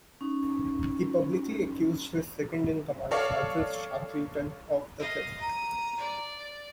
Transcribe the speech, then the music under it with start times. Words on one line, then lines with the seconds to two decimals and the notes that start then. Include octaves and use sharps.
He publicly accused his second in command, Francis Shackleton, of the theft.
0.21 C#4 D#4
3.11 A4 C#5 D5 F5
4.99 D#5 F5
5.41 A#5 D#7
5.97 D5